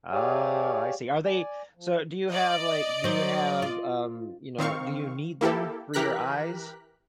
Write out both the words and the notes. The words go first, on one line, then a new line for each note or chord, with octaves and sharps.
Oh, I see. Are they so, do you have, like do you have, um, you know, do you need them for your eyes?
G4 G#4 C#5 D5 F5 G#5
D5 G#5
F3
D5 D#5
F#3 C5
F4
D#3 C4 F5 C#6
A#3 E4 G4 A4
E3 G4 A#4 A#5 F#6 B6